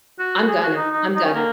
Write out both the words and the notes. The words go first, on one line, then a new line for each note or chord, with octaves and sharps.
I'm gonna. I'm gonna.
F#4
G#4
F#4
D#4
D#4
D#4
C#4
A#3